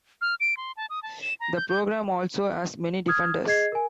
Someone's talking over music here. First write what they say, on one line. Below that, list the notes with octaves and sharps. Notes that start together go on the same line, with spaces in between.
The program also has many defenders.
F6
D7
C6
A5
D#6
A5
E7
A#5
G6
G6
D#6 F6 G#6
G#4 D#5 G#6 C7
A#4 G#5